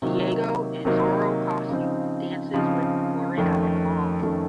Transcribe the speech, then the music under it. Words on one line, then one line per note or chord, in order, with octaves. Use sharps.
Diego, in Zorro costume, dances with Florinda at the ball.
C3 D#3 F#3 A#3 D#4
C3 D#3 F#3 A#3 D#4
C#3 F3 C4 D#4
C#3 F3 C4 D#4
F2 D#3 A3 C#4
F2 D#3 A3 C#4